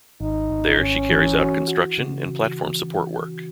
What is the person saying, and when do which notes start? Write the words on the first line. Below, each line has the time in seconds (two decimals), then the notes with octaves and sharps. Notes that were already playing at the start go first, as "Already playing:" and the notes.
There she carries out construction and platform support work.
0.21 G#1 D#4
0.50 G#1
0.80 G#1 C#4
1.10 E3
1.39 F#4
1.68 F#4
1.98 C#3